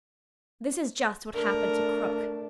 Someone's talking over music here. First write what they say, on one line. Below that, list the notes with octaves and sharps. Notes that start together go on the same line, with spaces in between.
This is just what happened to Krook.
A3 D4 A#4